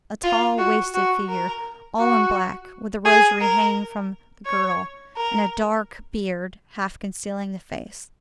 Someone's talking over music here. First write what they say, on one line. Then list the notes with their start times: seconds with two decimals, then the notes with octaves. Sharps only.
A tall, wasted figure, all in black, with a rosary hanging from the girdle, and a dark beard half concealing the face.
0.24 F4
0.58 F#4
0.94 F#4
1.29 A#4
1.99 F#4
3.05 G#4
3.41 A#4
4.46 C#5
5.17 A#4